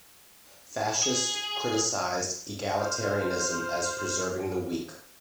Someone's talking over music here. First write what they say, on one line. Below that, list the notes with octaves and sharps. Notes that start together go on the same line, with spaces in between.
Fascists criticized egalitarianism as preserving the weak.
G#4
C5 F6